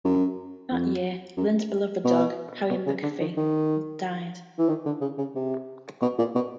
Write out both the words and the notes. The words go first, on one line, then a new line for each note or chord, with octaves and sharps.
That year, Lynde's beloved dog, Harry MacAfee, died.
F#2
F2
F#2
B2
B2
C#3
D3
D#3
D#3
E3
D#3
D3
C#3
C#3
C3
B2
A#2
B2